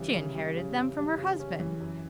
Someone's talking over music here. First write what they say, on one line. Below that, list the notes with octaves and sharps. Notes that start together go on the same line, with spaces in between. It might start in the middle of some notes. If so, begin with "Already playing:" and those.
She inherited them from her husband.
Already playing: C#3 E3 G3
C#3
G3
C#3
C#3
G3
C#3
C#4
E3
F#2